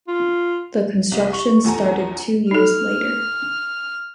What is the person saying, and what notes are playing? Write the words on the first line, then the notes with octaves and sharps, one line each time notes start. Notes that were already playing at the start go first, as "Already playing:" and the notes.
The construction started two years later.
F4
C2 D#5
C#6
A#1 E2 A4 G#5 A#5
D#4 A4 F6